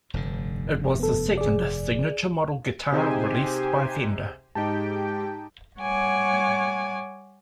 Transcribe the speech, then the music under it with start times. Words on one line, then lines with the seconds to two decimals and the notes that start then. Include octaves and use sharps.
It was the second signature model guitar released by Fender.
0.14 F1 G2 D3
0.99 B3 A4
1.37 G#4 D5
2.92 C3 D#4 G4 G#4 C5 G#5
4.55 G#2 D#4 G4 G5 A5
5.79 G3 C#5 F#5 G#5 D6